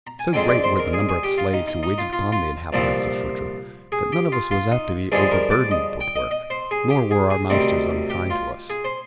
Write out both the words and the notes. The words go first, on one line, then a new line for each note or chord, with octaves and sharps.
So great were the number of slaves who waited upon the inhabitants of Phutra that none of us was apt to be overburdened with work, nor were our masters unkind to us.
A#5
G#5
F2 D3 G#3 C4 G5
D5
C5
A#4
G#4
G#4
G4
F4
D#4
D#4
D#4
F4
F4
F4
C2 A#2 F3 C4
G#4
G4
F4
F4
D#4
G2 D3 F3 G#3 G#4
A#4
D5
D#5
G5
D#5
D#5
C5
G#4
G4
G#4
G#4
D2 C3 D#3 G3 C4
G4
F4
G#4
C5